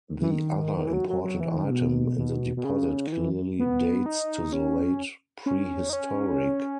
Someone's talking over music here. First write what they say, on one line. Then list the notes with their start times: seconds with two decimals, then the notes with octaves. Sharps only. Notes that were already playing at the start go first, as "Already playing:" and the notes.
The other important item in the deposit clearly dates to the late prehistoric.
0.22 E3
0.31 D#3
0.77 D#3
0.87 E3
0.93 F#3
1.09 F#3
1.24 F#3
1.40 E3
1.56 D#3
1.65 C#3
1.71 B2
2.18 B2
2.57 B2
2.65 C#3
3.07 D#3
3.12 E3
3.59 B3
4.06 D#4
4.53 C#4
5.46 C#4
5.90 D#4
5.93 C#4